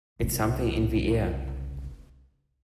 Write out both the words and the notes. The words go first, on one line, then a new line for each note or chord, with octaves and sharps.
It's something in the air.
C2 C#3